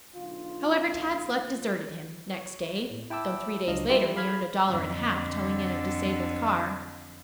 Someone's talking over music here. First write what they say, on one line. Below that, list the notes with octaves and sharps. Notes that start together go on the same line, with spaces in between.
However, Tad's luck deserted him next day, though three days later he earned a dollar and a half towing in a disabled car.
B1 D3 F4
C#5
A2
E4 G5 A5 D6 E6
C#2 F#3 D4 D#5 F5
G3 E4 F4 G4 A4 E5
G#4 F5 B5 F6 G#6
F2 D3